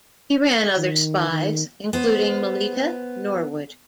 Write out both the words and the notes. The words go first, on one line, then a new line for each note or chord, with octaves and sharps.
He ran other spies, including Melita Norwood.
D#3
D#3
B3 C5